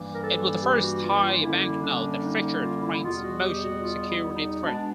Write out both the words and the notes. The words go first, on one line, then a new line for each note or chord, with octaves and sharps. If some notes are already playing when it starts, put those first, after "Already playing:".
It was the first Thai banknote that featured Crane's Motion security thread.
Already playing: G2 E3 G3 A#3
A#4
A4
G4
F#4
F4
F4
F#2 D3 G3 A#3 E4
D4
D#4
D#4
F4
E4
E4
E2 B2 G3 B3 F4
F#4
G4
F#4
F4
E4
D#4
B2 G#3 B3 D4